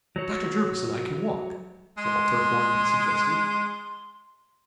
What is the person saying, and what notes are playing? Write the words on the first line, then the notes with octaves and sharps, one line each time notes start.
"Dr. Jervis and I can walk," Walter Hornby suggested.
F#3 C#5
G#3 C6